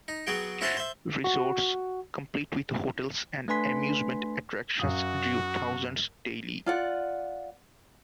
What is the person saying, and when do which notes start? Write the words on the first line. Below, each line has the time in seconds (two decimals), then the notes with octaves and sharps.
Resorts, complete with hotels and amusement attractions, drew thousands daily.
0.08 D#4
0.27 F#3 B3 F#4 G#4 G5
0.61 C#4 E4 F#4 C5 F#5 A5
0.77 C5 E5
1.24 F#4
3.48 A3 D4 B4 G#5 C6 B6
4.79 F#2 F#4 F5 D#6
6.66 F4 D5 F#5